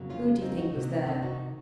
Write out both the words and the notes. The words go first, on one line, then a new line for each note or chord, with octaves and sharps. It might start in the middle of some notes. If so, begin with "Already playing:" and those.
"Who do you think was there?"
Already playing: F2 C#3 F#3 A#3
C#4 F4
C4 D#4
D#4 F#4
C3 D#3 A#3 D#4 F#4
C#4
C4 D#4
D#4 F#4